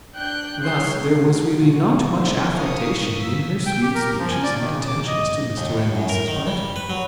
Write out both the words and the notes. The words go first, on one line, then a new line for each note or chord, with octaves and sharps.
Thus there was really not much affectation in her sweet speeches and attentions to Mr. and Mrs. Barton.
D4 G5 F#6 G6
G3 F4 G#4 C#5 C6 G6
D2 F#3
B2 G#3 F4 F#4
D3 E4 C5
A#4 F5 C#6 D#6
E6 B6
G5
G4
A#4
F3
G#5
D5
D#3
C#3
D6
D#5
D#2
A2
F#2
A#4
D#3
G3
B4
F#3